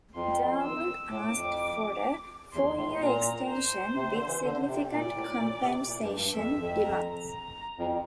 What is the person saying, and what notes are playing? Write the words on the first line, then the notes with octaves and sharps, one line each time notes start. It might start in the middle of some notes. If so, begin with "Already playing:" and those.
Dallman asked for a four-year extension with significant compensation demands.
F2 C6
E6
A2 D6
F2
E2 C6
A2
A#2 A#5
C5
C3
D3
E3
D3
C3
A#2 D5
A2
A#2
C3
A#2
G2
G2
F2 E5
F2
A#5
A#5
F2